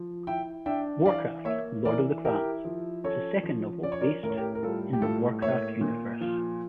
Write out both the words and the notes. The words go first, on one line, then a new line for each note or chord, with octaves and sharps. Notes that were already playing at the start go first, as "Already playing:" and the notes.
"Warcraft: Lord of the Clans" is the second novel based in the "Warcraft" universe.
Already playing: F3
E4 E5 G5
D4 E5 G5
E3 D5 F5
A#3 C#5 E5
E3 A#4 D5
E4 G4 A#4
F3
C#4 A4 C#5
F3
C#4 D5
C#5
A#4 D5
A2 A#4
C#5
G4 A#4
A#4
G3 F4 A4
G4
A2 F4 A4
A#3 C#5 E5
A#2
F3 F4